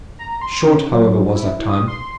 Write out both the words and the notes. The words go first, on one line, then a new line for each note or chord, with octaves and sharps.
Short, however, was that time.
A#5
C6
C#3
F#3
E4
D#6
C6